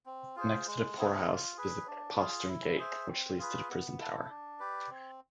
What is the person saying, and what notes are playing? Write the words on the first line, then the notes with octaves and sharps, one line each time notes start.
Next to the poorhouse is the Postern Gate, which leads to the Prison Tower.
C4
F4 G#4 C5
G#3
C4 E4 G#4
F4
G#4 B4
D4
F4 G#4
E4
G#4 C5 E5
C4
F4 G#4 B4
B3
E4 A4
D4
G4 B4 D5
C4